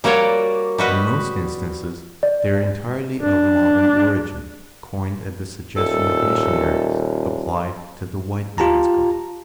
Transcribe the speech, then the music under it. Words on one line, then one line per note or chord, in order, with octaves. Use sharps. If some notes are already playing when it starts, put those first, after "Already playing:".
In most instances they are entirely of modern origin, coined at the suggestion of missionaries, applied to the white man's God.
G3 A#3 F#4 A#4 C#5 D5
G3 F#4 B4 D#5
D5
D4
D#1 A4
F4 G4 A5 A#5